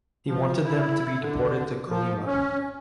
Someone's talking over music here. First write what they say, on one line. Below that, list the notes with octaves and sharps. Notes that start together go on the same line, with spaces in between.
He wanted them to be deported to Kolyma.
F3
E4
D3
F3
C#4